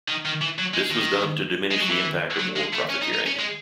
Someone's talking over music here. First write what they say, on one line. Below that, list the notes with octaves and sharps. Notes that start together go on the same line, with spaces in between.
This was done to diminish the impact of war profiteering.
D#3
D#3
E3
F#3
G#3
D#3
G#3
F#3
E3
F#3
G#3
A3
C#4
D#4
D#4
C#4
G#3